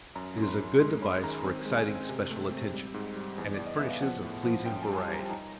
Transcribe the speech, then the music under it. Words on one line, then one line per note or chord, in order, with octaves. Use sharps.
It is a good device for exciting special attention, and it furnishes a pleasing variety.
F#2 A#5
F#2 C6
B5
F#2
G#3 C6
C#4 B5
D#3 A#5
C4 G#5
G#3
G#5
C4
C3
A3
C4
G3
G#2
G3
E2
E2 D5
D#5
B3 E5
F5
F3 F#5
A2
F3
F#2 G5
G#5
G3
G#5
A5
G3
A#5
A5
D#4 A#5